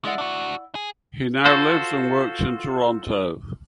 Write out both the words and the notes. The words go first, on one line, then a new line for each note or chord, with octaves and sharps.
He now lives and works in Toronto.
G#3 E4 D5 F#5
D4 F#4
G#4
F4 F#4 A4 C5